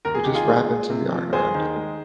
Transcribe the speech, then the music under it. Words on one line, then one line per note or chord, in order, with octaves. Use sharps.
you're just wrapping some yarn around it,
D#2 A#4
G#4
D#3 G4
F4 G#4
G#3
G#3
C3
F3
D#2 G#4 C5
D#3
G#3